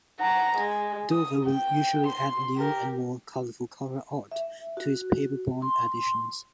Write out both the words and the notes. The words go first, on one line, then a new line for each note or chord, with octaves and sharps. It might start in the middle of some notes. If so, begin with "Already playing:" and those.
Dover will usually add new and more colorful cover art to its paper-bound editions.
F#5 A#5
G#3
D#6
G5
C6
G4 A#4
E5
F#4
C6